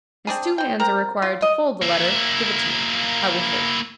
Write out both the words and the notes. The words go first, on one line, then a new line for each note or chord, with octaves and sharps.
"As two hands are required to fold the letter, give it to me, I will fold it."
C4 D4 G#4
C4 G5
C4 A#4 A#5
F4
D#5
A#3 E4